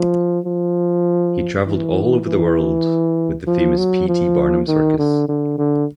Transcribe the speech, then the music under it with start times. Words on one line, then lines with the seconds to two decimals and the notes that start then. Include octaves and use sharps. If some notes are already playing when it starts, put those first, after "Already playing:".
He traveled all over the world with the famous P. T. Barnum circus.
Already playing: F3
0.46 F3
1.67 E3
2.27 E3
3.47 F3
3.78 F#3
4.08 F3
4.68 D#3
4.98 D3
5.28 D3
5.58 D3